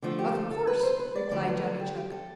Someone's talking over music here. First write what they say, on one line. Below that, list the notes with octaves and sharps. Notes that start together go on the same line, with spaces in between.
"Of course," replied Johnny Chuck.
D3 F3 A3 F4
G4
A4
A4
B4
C5
B4
D5
D3 F3 A3 D5
B4
A4
G4
G4
A4